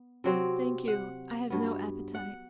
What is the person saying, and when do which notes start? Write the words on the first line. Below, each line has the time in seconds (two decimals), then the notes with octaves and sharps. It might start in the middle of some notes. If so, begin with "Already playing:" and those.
"Thank you, I have no appetite."
Already playing: B3
0.24 C3 F#3 C4
0.88 F#5
1.50 G2 F#3 B3
2.15 F#5